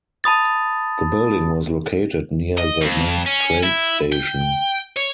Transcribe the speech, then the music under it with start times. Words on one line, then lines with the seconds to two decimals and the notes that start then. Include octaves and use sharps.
The building was located near the main train station.
0.24 A5 B5 D#6 A6
2.58 D#5
2.82 F2
3.26 C#4
3.63 E4
4.12 G5
4.97 C#5